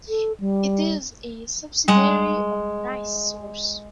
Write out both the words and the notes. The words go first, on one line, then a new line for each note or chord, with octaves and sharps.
It is a subsidiary of NiSource.
A4
G3
G3 G#3 F#5